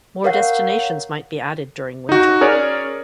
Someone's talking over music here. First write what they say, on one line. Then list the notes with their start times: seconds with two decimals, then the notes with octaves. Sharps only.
More destinations might be added during winter.
0.24 A#4 C#5 F5 F#5
2.09 D#4 F#4
2.41 C#4 G#4 A#4 C#5 D5